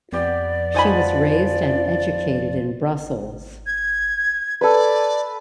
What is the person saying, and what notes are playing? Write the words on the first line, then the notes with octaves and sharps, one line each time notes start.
She was raised and educated in Brussels.
F2 B3 G4 D5
F3 D#4 F#5 G#5 B5
G#6
A4 B4 D5